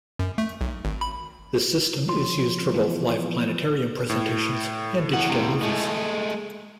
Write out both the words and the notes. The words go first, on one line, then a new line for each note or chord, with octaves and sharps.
This system is used for both live planetarium presentations and digital movies.
F#2
A3
B1
G#1
B5
F3 C#5 C6
E3 F3 B3
A2
E3 F#5
D#2 C3
G#3 A3